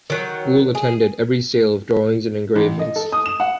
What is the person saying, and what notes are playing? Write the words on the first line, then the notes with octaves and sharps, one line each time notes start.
Boulle attended every sale of drawings and engravings.
D#3 F#3
G#4
A1
D#5
A4
D#6
E7
F#5